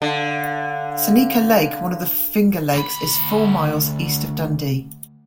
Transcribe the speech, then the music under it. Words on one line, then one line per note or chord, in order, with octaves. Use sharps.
Seneca Lake, one of the Finger Lakes is four miles east of Dundee.
D3 F5
D2 B5